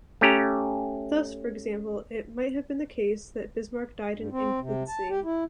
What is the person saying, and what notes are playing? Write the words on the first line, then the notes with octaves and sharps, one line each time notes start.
Thus, for example, it "might have been the case" that Bismarck died in infancy.
A3 C#4 G4 A#5
G2
C4
C3
A5
G4
E4